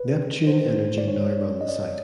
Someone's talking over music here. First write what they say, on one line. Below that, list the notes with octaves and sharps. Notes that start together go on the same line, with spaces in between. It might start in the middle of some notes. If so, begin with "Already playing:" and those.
Neptune Energy now run the site.
Already playing: B4
C5
D5
C#5
D#5
D5